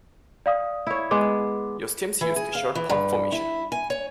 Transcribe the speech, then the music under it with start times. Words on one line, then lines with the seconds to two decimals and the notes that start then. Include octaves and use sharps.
Yost's teams used the short punt formation.
0.46 D5 F5 D#6
0.87 E4 C#5
1.11 G#3 B3 D6
2.21 E3
2.36 G#4
2.55 F5
2.75 E3
2.90 G2
3.32 E4
3.72 G#5
3.90 C#5